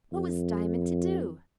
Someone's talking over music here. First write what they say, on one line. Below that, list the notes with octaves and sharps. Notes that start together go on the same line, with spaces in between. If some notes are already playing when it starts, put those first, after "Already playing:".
What was Diamond to do?
F2